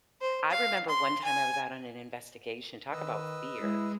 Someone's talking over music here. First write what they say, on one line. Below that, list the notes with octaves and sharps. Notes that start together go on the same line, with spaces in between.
I remember one time I was out on an investigation- talk about fear-
C5
F5
C6
G#5
D#3 B4 D#5 E6
G#3 E4